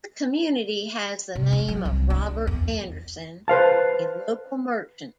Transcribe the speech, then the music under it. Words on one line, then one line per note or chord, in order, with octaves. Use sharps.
The community has the name of Robert Anderson, a local merchant.
C3
E4
F#3
C2
D4
E2
B4 C5 F5 A5